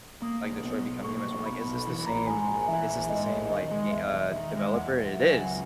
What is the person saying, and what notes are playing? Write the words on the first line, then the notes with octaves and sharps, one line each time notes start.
like Detroit: Become Human, so I'm like is this the same is this the same, like, ga uh, developer, it is.
A#3 D#6
B1
B2
B1
A#3 C#6
B1
B2 B5
B1
E3 B5
A#1 A#5
G#2 G#5
A#1 G#5
E3 E5
A#1
G#2 D#5
A#1
D#3 D#5
G#3
E2 E5
E1
D#3 E5
G#3
E2 F#5
E1
F#3 E5
G#5
C#2 F#5
F#5